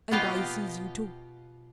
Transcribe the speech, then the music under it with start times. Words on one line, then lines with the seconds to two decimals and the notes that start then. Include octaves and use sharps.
And I sees you too.
0.11 B2 B3 F4 G4 D#5 F5